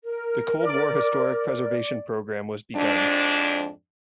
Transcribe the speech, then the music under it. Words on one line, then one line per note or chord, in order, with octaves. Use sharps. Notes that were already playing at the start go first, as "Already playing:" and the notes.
The Cold War Historic Preservation Program was begun.
A#4
D5
F2 G#2 D4